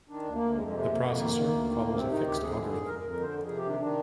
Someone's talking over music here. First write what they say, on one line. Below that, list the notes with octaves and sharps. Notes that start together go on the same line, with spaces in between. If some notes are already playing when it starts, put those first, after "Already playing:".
The processor follows a fixed algorithm.
D#3 D4
D2
A#3
D2
F2 G#3
G#3
C3
G#3
F2 A#3
F2 A#3
D#3
D#3
D2
D#3
D2
C3 C4
D#3 D#4
D2 G4
F2 G#4
D3
F2
F2 A#4
A#4
F2
A#4
D3 C5
F2
C3 G#4
G4
D#3 D4
D#3 D4